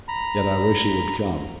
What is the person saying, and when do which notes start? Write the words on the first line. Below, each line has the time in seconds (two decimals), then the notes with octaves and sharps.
Yet I wish he would come.
0.08 A#5 B5